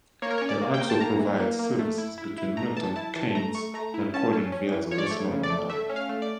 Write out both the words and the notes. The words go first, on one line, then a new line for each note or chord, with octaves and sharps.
It also provides services between Milton Keynes and Croydon via the West London Line.
A#3 C#5
A#4
C#4 C#5
D5
A#3
G5
A#3
A5
A#3 A#5
E3
A#3
A#3
A3
E4
E4
E4
A3 A#5
E3 A5
E4 A5
E3 A5
A3 A#5
A3 C#6
A3 A#5
E4
C#4 A5
C#4
C#4
E3
F3 C#5
D5
A3 C#5
C#3
D5
A3
A3 E5
C#4
F5
A3
D5